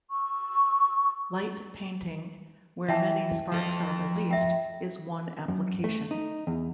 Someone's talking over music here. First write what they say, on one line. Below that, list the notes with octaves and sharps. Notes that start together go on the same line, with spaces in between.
Light painting, where many sparks are released, is one application.
C#6 E6
E3 E5 G5 A5
F3 A4
E5 G5
F#2
A3
D#4
E2